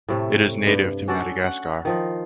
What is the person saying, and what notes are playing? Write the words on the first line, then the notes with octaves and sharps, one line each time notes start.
It is native to Madagascar.
A2 C3 A3
G2
C#4 F#4 A4 D5
F#5
D#3 F3 D#4